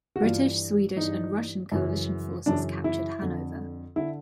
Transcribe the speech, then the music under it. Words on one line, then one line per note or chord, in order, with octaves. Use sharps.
British, Swedish and Russian coalition forces captured Hanover.
F#4
G2 E3 F4
G2 E3 D#4
F#2 C#3 E3
F#2 C#3 E3 D4
E4
F2 D3
D3 E4